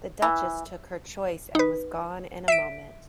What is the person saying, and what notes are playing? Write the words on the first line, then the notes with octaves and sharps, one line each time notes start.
The Duchess took her choice, and was gone in a moment.
E3
D#4 B4
E5 B6 D7